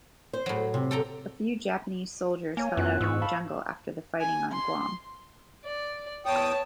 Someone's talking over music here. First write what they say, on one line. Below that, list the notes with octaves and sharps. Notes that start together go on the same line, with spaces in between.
A few Japanese soldiers held out in the jungle after the fighting on Guam.
C5
A2 F#3
C3
A4 G5 A#5
A#3 C#5 G#5
F#2 B3 F4 F#6
G#2 C#6 E6
F5 A5 B5
G#5
C6
D5
E2 C#5 G5 A5 D#6